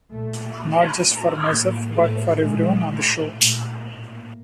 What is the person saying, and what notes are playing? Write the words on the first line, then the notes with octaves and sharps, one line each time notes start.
Not just for myself, but for everyone on the show.
A#2 A3
A#2
A2
A2 A#3
A2 A3
A#2 G#3
A2 A3
A#2
A2 A#3